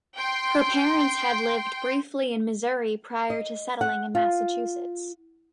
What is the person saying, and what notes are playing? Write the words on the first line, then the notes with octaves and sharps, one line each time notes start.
Her parents had lived briefly in Missouri prior to settling in Massachusetts.
G5 C6
D#5
F#5
F4